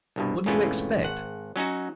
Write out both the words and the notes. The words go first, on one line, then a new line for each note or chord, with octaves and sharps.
What do you expect?
C2 G2 B2
F2 G#2 B2 E3 A3 C#4
G#1 F#5
F#3 C#4 D#4 F#4